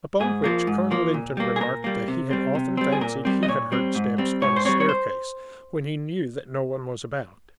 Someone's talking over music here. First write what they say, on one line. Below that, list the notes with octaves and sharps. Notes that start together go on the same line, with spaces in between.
Upon which Colonel Lynton remarked that he had often fancied he had heard steps on his staircase, when he knew that no one was about.
G#2 G#4
F3 A#3
G#2
F3 A#3
A#2
G3 A#3
G#4
A#2 A#4
G3 A#3
C3
G3 C4
C3
G3 C4
G#4
A#2 A#4
G3 C4
D#5
A#2 C#5
G3 C4
G#2
G3 C4
G#2 C#5
C5
G3 C4 C#5
C#5
C5